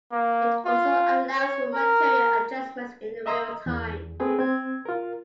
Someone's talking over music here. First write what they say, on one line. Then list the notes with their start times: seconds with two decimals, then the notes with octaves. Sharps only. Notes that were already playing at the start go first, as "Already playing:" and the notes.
It also allows for material adjustments in a realtime.
0.12 A#3
0.65 F4
1.36 C#5
1.73 A#4
3.26 D#5 E5 A#5 C6 D#6 E6
3.66 E2
4.20 A3 C4 G#4 B4 G5
4.39 C4 G#6
4.85 F4 A#4